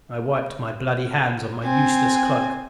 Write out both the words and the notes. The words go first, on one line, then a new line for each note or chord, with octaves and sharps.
I wiped my bloody hands on my useless cloak.
C4 G#5